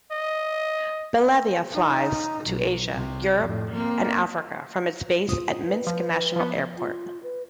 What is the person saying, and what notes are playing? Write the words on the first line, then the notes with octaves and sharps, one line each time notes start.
Belavia flies to Asia, Europe and Africa from its base at Minsk National Airport.
D#5
D#4
B1
C2 C3
F2 A2
A#3 C4
F4 D#6
B4
F3
F3 B3
F4
B4